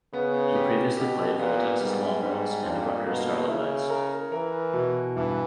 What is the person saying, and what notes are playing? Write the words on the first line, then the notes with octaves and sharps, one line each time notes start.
He previously played for the Texas Longhorns and the Rutgers Scarlet Knights.
C#3 B3
G4
B2 G4
A#2 B3
G#2 G3
G#2 G3
G2 A#2
B2 A#3
C#3 E4
A#4
E3 A#4
B2
G2 E3